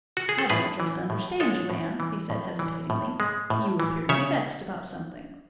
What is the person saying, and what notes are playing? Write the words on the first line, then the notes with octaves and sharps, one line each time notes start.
"I don't just understand you, Anne," he said hesitatingly "You appear to be vexed about something."
F#4
G#4
A4
A2 G#4 B4
E3
A2
G#3 A4 C#5
A2
E3
A2
E3
A2
G#3
A2
E3
C#3 C#5 E5